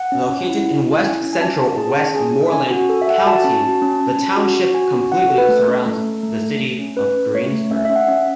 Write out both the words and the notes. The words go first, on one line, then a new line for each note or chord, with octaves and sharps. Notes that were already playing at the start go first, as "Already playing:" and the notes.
Located in west-central Westmoreland County, the township completely surrounds the city of Greensburg.
Already playing: F#5
C#4
C#4
E4
E4
C#4
E4 G#5
C#4
G#5
C#4 A5
G#4
G#4 A5
C#4
G#4 G#5
C#4
C#4 G#5
F#4
A4
E5
A4 F#5
G#5
F#4 A5
C#4
F#4
C#4
C#4
C#4
F#4
F#4
F#4 G#5
C#4
F#4 F#5
A4
B4
A3 A4
C#4
A3
A3
A3
A3
A3
C#4
C#4 B4
C#4
A3 C#5
A3
C#4 E5
C#4 E5
F#5
C#4